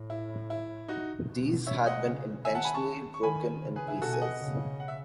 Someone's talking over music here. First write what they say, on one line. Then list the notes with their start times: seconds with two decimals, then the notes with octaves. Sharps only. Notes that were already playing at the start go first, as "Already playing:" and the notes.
These had been intentionally broken in pieces.
Already playing: A2
0.10 E4
0.50 E4
0.88 D#4 F#4
1.28 B2
1.67 C#5 E5
1.86 D#5 F#5
2.06 C#3
2.45 D#3 E5 G#5
2.55 F#5 A5
2.64 G#5 B5
2.74 A5 C#6
3.14 C#6
3.23 D#3 G#5 B5
3.62 C#3
3.76 G#4 B4
3.88 E4 G#4
4.02 B2 F#4 A4
4.13 G#5
4.21 D#5 F#5
4.41 C#3
4.80 F#5
4.88 E5